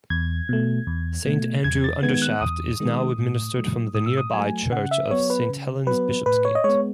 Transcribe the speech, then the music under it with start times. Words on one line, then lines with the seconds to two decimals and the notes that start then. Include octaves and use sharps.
Saint Andrew Undershaft is now administered from the nearby church of Saint Helen's Bishopsgate.
0.10 E2 G#6
0.49 B2 A3
0.87 E2
1.26 B2 A3
1.64 E2 G#6
1.84 A6
2.03 D#3 G#3 B3 G#6
2.14 G#6
2.22 F#6
2.41 E2 D#6
2.80 D#3 G#3 B3
3.19 A2
3.57 F#3 A3
3.95 A2 D#6
4.06 E6
4.17 D#6
4.34 F#3 A3 G#5
4.72 C#3 F#5
4.91 E5
5.11 F#3 B3 C#5
5.30 B4
5.49 C#3
5.87 F#3 B3 B4
6.26 A2 B4
6.45 C#5
6.55 D#5
6.64 G#3 B3 C#5